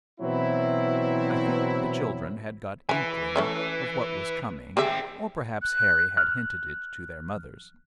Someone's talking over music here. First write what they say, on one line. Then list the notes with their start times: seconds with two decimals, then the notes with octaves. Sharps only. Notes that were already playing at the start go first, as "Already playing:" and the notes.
I think the children had got inkling of what was coming, or perhaps Harry had hinted it to their mothers.
0.21 B2 E3 F#3 C4 E4
2.89 E3 E5 G#5
3.36 A3 C#4 E5
4.77 D#3 C4 G4 G#4 E5
5.61 F#6
6.17 F6 F#6